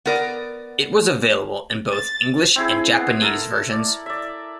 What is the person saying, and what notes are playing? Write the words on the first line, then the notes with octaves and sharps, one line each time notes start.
It was available in both English and Japanese versions.
B3 A#4 D5
A6
C4 E4 G#4
B3
A4 A#4
D5
D5 E5